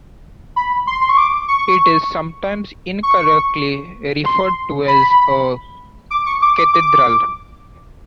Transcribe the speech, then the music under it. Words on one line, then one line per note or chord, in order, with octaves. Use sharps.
It is sometimes incorrectly referred to as a cathedral.
B5
C6
C6
C#6
D6
C#6
C#6
C6
B5
D6
C#6
D6
D6
D6